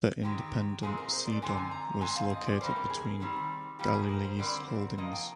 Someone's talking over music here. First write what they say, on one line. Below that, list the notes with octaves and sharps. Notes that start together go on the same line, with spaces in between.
The independent Sidon was located between Galilee's holdings.
D#3 G#3 C4 G4
G4
A#2 G#3 C4 G#4
A#4
C5
D5
D3 G#3 C4 G#5
A#5
G#5
A#5
D3 G#3 C4 G#5
F5
D#5
D5
C3 G3 A#3 C5
A#4
G#4
C3 D#3 G3 C4
A#2 G3 A#3 G4
G#4
A#4
C5
D3 G3 C4 D5
C5
A#4
C3 F3 A#3 D#5
G5